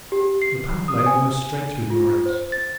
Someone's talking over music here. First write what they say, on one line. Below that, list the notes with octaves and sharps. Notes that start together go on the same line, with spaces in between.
The path lay almost straight through the morass.
G4
C7
D#6
G#5
F4
C5
A6